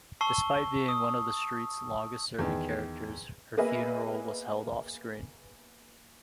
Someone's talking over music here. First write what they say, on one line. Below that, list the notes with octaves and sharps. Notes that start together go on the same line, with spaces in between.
Despite being one of the street's longest serving characters, her funeral was held off-screen.
A5 C#6 E6 C7 G7
D#6
E2 D#3
A#3 B3 G#4 B4 D#5 E5